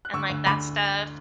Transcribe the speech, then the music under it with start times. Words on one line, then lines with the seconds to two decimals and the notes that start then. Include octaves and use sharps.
and, like, that stuff,
0.05 F#6
0.14 D2 C#6 E6
0.30 D2
0.46 D2 B5 D6